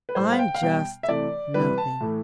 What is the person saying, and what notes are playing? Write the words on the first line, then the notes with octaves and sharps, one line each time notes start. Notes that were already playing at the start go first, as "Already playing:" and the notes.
"I'm just nothing."
B4
A2 G3 C5
F5
G5
F5
B2 G3 G5
E5
C3 E3 A3 D5
C3 E3 G3 B4
A5
A2 E3 A3